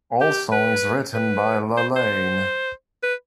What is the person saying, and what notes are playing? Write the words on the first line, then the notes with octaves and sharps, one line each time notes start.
All songs written by Lalaine.
G4
B4
B4
C5
C5
B4